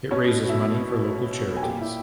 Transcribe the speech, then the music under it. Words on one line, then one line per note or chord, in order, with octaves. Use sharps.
It raises money for local charities.
B2 C#4 C#5
E4 E5
G#5
A#2 G4 G5
E4 E5